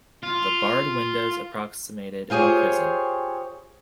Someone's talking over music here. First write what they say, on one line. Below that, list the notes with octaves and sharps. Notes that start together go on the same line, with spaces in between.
The barred windows approximated a prison.
F4
F4 G4 G#4 C5 C#5